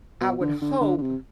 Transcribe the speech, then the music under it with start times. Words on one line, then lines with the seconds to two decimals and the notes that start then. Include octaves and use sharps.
I would hope
0.21 B2
0.40 D3
0.61 D3
0.81 D3
0.98 D3
1.02 C3